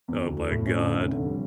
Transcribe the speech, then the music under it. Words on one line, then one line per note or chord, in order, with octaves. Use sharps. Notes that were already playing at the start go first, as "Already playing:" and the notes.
Oh my god.
E2
D2
A3
A2
C#4
D3
F1
D3
G3